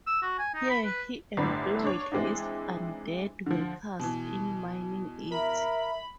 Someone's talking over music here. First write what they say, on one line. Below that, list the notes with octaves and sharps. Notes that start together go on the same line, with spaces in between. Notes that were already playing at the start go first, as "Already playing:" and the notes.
Here he employed his undead workers in mining it.
E6
F#4
G#5
D#4
B5
B4
G1 A2 D3 D5 B5
D4 C#5
E3 G#3 C4 D4 D#4
D3 F3
B2 E3
A#4 E5 B5